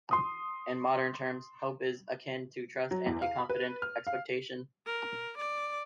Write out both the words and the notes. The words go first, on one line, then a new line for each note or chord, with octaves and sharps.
In modern terms, hope is akin to trust and a confident expectation.
C6 D#6
F#3
E2
F5
B5
B4
F6
F5
A#4
D5